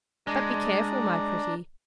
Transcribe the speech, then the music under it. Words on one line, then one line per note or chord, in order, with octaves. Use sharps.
But be careful, my pretty!
G#3 D4 D5 A#5